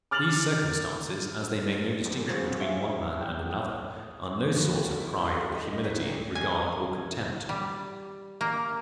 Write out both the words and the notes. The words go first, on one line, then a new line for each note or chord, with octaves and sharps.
These circumstances, as they make no distinction between one man and another, are no source of pride or humility, regard or contempt.
D6 F6 A6 F7 F#7
E1 A#1
G3 G#3 C4 F4 F#4 G#4
C#5 E5 F5 G#5 C#6
G5
G5 D#6
D3 F3 F#4 B4
E4
F4 A4 F#5
G4 D#5
G3 B3 D#4 C#5 E5 F#5
G3 C4 G#4 A4
G#5
G3
A#3